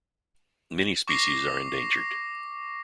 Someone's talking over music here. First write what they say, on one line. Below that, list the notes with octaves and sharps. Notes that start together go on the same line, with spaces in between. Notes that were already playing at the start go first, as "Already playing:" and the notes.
Many species are endangered.
C#6 D6 A#6 C7